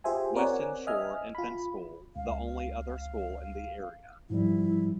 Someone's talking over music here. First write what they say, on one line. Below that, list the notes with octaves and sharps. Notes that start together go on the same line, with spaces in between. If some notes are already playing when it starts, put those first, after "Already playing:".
Weston Shore Infant School the only other school in the area.
F4 G4 G#4 C5 E5 G#5
C4 A#4 C#5 D5 F#5 G#5
D#5 E5 G#5 F6
F4 B5
C#2 F5
G#2 F3 G3 E4